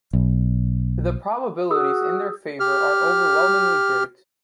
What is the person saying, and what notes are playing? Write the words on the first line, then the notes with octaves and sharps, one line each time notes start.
The probabilities in their favor are overwhelmingly great.
B1
F#4 G#4 D#6 E6
G4 F6